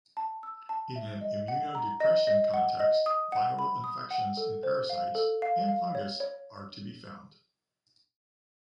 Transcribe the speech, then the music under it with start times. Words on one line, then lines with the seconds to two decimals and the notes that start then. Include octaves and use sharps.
In an immunodepression context, viral infections and parasites and fungus are to be found.
0.17 A5
0.43 E6
0.69 A5
0.96 E5
1.21 D#5
1.48 F#5
1.75 A#5
2.00 D#5
2.27 D#5
2.54 F#5
2.80 D#5
3.06 D#6
3.32 F#5
3.59 B5
3.84 D#6
4.11 F#5
4.37 A4
4.63 C5
4.90 F5
5.15 A4
5.42 F5
5.68 F5
5.95 C#5
6.20 C#5